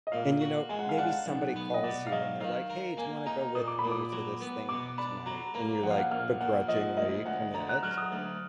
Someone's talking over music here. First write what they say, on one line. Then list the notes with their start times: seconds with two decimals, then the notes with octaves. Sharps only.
and, you know, maybe somebody calls you and they're like, "Hey, do you wanna go with me to this thing tonight?" and you're, like, begrudgingly commit,
0.07 D#5
0.12 A#2 F5
0.41 F#4
0.69 G#3 G#5
0.79 F#5
0.89 F5
0.98 D4 F#5
1.26 B1
1.56 B3
1.74 D#5
1.83 B2 D5
2.07 F5
2.12 F#3 D#5
2.41 D#3 F5
2.70 A#4
2.97 A#3 G#5
3.26 D#4 A#5
3.55 A#2 D#6
3.68 D6
3.79 B5
3.84 A#2
3.92 D6
4.12 F#3
4.41 B3
4.69 B2 D6
4.98 D4 B5
5.26 F#3 A#5
5.54 A#3 A#5
5.83 A#1 F#5
5.91 F5
5.98 F#5
6.11 A#1 F6
6.41 A#2 F#5
6.68 F3 D#5
6.97 D2 D#5
7.26 D2 F#5
7.54 D3 A#5
7.69 F#6
7.83 F#3 F6
7.98 D#6
8.12 D2